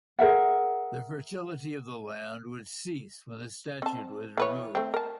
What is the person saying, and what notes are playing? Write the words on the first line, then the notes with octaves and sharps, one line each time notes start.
The fertility of the land would cease when the statue was removed.
G#4 A#4 E5 F#5
C4 A5
E3 B4 C#5
A3 C4
A#4 A5